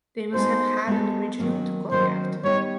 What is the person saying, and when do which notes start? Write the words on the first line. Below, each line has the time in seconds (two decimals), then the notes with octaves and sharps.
They must have had an original to copy after.
0.34 G#3 B3 D#4 F#4 A4 C5
0.87 G#3 B3 D#4 F#4 A4
1.39 D#3 F#3 A#3 C#4
1.91 D#3 F#3 A#3 C#4 C5
2.43 G3 B3 D#4 C#5